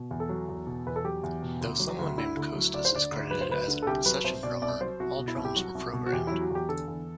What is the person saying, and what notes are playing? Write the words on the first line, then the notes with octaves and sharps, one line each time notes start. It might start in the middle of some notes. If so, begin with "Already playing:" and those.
Though someone named "Kostas" is credited as a session drummer, all drums were programmed.
Already playing: B2
E2
A4
F#3
E2
B2
E2 B4
A4
F#3 G4
E2
B2
D2
F#3
D2
D3 E4
D2
F#3
D2 D5
C5
D3 D5
D2
F#3 B4
C5
D2 B4
D3
A4
C2 G4
F#3 B4
C2 C5
B2 D5
C2 D5
F#3 C5
C2 F#4
B2
E4
C2
G4
F#3 F#4
C2
B2
F#4
E2 G4
F#3 E4
F#4
E2 G4
D3 A4
E2